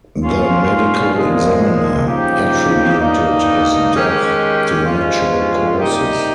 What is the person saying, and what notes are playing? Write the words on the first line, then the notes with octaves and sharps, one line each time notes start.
The medical examiner attributed his death to natural causes.
A#2 G3 C#4 F4
A#2 F3 G#3
C#3 F3 A#3 D#4 G4
G2 G3 A#3 D#4
D#3 G#3 C#4 G4
G2 F3 G#3 C#4 F4
C3 G3 A#3 D#4 G4